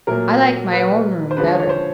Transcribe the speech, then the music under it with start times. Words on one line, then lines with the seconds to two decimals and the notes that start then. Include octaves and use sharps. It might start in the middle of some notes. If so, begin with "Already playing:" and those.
I like my own room better.
0.07 A#2 F#3 A3 A#4
0.72 B4
1.31 C5
1.37 D3 F3 G#3 B4
1.48 C#5
1.60 C#5
1.69 C5